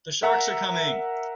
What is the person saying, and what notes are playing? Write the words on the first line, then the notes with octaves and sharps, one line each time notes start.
The sharks are coming!
A#4 E5 F#5 A#5